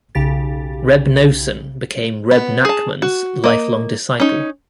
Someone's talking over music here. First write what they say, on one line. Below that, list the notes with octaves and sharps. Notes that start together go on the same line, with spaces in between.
Reb Noson became Rebbe Nachman's lifelong disciple.
B1 C#3 G4 A6
B3
G#4 A5
F#4
A#3 D#5
C#4 D#4